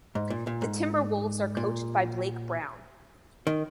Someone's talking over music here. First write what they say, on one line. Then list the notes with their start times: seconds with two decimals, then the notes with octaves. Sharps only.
The Timberwolves are coached by Blake Brown.
0.15 G#2
0.30 A#2
0.47 A#2
0.62 G#2
1.57 A#2
3.47 D#3